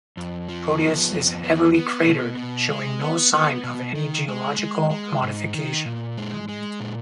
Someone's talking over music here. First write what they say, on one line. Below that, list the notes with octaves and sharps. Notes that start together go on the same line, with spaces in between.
Proteus is heavily cratered, showing no sign of any geological modification.
F2
F3
B3
F2
B3
B3
B2
B2
G#3
B3
B3
B2
D#3
G#3
G#3
G#3
G#2
D#3
A#2
G#3
G#3
A#2